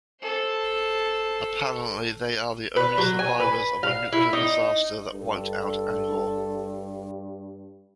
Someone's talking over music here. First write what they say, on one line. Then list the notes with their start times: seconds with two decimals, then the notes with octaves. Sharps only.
Apparently they are the only survivors of a nuclear disaster that wiped out Angor.
0.22 A4 C5
2.76 B4
2.98 F#3
3.19 G#5
3.40 B4
3.83 F5
4.12 E4
4.33 D#4
5.13 G2 A4